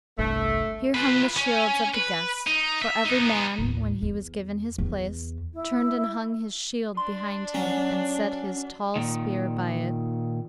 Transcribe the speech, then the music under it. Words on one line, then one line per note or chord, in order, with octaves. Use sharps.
Here hung the shields of the guests; for every man, when he was given his place, turned and hung his shield behind him and set his tall spear by it.
G1 C2 A3
F4 B4
C#4
B4
D#4
E5
B3 D#4
A1 D#2
E2
E2
E4
D4 C6
F#3 C#4
A#2 D#3